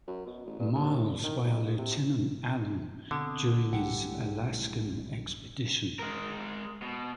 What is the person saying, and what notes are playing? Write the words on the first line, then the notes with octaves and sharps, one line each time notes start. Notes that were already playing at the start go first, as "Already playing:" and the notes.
Miles by a Lieutenant Allen during his Alaska expedition.
F#2
B2
A1
G2
D#2
G1
D#3
B1
G#2
C3
B2 D3 C4 D#6
B1 G2 G#3 A3 E4 G4 F#5 G5
G#3 A#4
B2